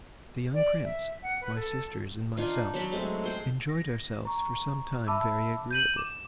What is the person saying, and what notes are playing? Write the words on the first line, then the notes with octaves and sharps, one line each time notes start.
The young prince, my sisters and myself, enjoyed ourselves for some time very agreeably.
D5
E5
F#5
B4
A4
D4 D#4 F4
F#3 A5 B5
F#3 G#3 A3 C4
G#4 C5 G5
A#6
A#5 C#6
E5 A5 B5 D6 E6
G6 D#7 F#7
D6 E7